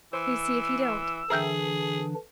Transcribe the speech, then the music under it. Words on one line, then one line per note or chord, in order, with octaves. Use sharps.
You see if he don't!
E3 C5 E6
D3 E3 D4 G#4 A#4 E5 G5